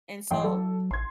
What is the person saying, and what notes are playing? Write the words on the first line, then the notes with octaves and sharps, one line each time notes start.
And, so,
A1 G5 C6
F#3 A4
A1 C6 G#6